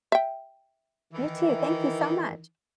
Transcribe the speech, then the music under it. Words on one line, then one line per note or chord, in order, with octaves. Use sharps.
You too. Thank you so much.
E5 G5
D#3 E3